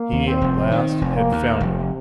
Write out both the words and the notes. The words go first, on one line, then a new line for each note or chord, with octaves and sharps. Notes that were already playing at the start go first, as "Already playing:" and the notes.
He at last had found him.
Already playing: A#3
D#2
C4
F1
D#3 C4
F1
A#3
D#2
F1 C3